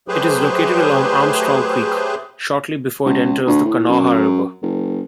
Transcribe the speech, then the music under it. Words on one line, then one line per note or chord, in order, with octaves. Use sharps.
It is located along Armstrong Creek shortly before it enters the Kanawha River.
F#3 A3 G4 G#4 B4 C5
C#2
D2
A2
F#2
F#1